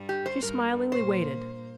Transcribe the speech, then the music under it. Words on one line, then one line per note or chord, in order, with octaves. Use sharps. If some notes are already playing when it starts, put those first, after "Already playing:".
She smilingly waited.
Already playing: G2 G3
G4
C5
G2 G3 A#4
A#2 A#3 C5